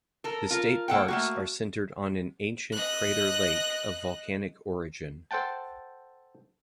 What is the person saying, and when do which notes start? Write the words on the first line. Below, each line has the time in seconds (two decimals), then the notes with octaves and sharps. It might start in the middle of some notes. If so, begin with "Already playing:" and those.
The state park's are centered on an ancient crater lake of volcanic origin.
0.24 A4 A#4
0.50 F4 A#4
0.88 A#3 A4 F#5 G5
1.08 A3 A#3 F#4
2.72 D#5 F#6
5.31 A4 C5 F#5 G5 A5